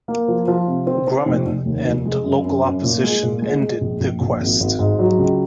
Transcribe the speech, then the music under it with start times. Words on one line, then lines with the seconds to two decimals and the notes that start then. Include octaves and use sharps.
Grumman and local opposition ended the quest.
0.08 A#3
0.28 F3
0.48 F3
0.67 C3
0.87 C4
1.07 C4
1.26 F1
1.47 F1
1.66 D#2
1.85 F1
2.05 G#3
2.24 F#2
2.45 F#2
2.64 F#2
2.83 A#2
3.03 G#3
3.23 A#2
3.42 G#3
3.61 G#3
3.81 A#1
4.01 A#1
4.21 A#1
4.40 G#1
4.60 G#1
4.79 G#2
4.99 F#3
5.19 C#2